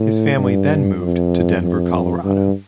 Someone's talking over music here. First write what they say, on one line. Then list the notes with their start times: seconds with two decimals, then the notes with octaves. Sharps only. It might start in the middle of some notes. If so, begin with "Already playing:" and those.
His family then moved to Denver, Colorado.
Already playing: A2
0.39 G2
1.01 F2
1.61 F2
2.24 G2